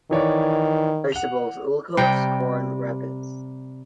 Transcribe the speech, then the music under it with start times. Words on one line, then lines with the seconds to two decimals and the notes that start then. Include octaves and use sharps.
Vegetables: Ullucos, corn wrappes.
0.11 D#3 E3 C#5 D5
1.12 F#5 F7
1.97 C3 G3 G5